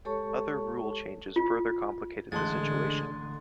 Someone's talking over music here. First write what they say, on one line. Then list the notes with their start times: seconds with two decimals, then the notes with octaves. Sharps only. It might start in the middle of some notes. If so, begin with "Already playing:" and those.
Other rule changes further complicated the situation.
0.05 G#3 G4 A4 C#5 A5 C#6
1.36 F4
2.32 A1 D3 G#3 A5 C6 F#6 A6